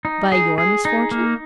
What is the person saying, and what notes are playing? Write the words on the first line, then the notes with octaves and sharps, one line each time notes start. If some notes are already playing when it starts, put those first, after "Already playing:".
"By your misfortune?"
D#4
G#4
G#4
D#4
A#3